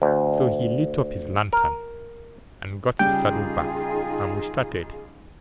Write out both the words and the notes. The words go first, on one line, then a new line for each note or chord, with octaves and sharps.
So he lit up his lantern, and got his saddle-bags, and we started.
D2
A#4
C#3 G3 D#4 F4 G4 G#4 G5